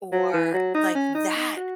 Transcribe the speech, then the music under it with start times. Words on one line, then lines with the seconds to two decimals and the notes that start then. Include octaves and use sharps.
or like that,
0.12 F#3
0.33 E3
0.54 F#3
0.74 D#4
0.95 C#4
1.15 D#4
1.36 D#4
1.56 F#4